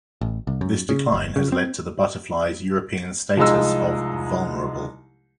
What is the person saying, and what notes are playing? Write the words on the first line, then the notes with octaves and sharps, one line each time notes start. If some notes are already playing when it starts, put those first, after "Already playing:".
This decline has led to the butterfly's European status of "vulnerable".
A1
C2
F#2
C#3
G1
C#3
C4
C2 F3 G#3 D#4 E6